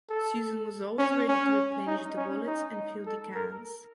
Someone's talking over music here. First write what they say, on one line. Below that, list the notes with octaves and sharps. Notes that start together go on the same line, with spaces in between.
Susan was always ready to replenish the wallets and fill the cans.
A4
C#4
C#4
D#4
C#4
D#4
A4
A#4